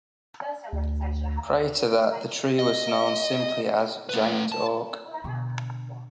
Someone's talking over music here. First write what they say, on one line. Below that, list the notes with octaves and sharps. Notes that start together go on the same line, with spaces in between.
Prior to that, the tree was known simply as Giant Oak.
D2
D#5
A3 B4
A5
B2 D3